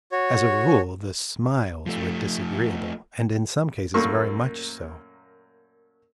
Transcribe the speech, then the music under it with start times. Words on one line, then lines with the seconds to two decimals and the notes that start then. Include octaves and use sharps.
As a rule the smiles were disagreeable, and in some cases very much so.
0.12 F#4 C#5
1.86 F3 A3
3.94 F#2 A#2 A3 A#3 C#6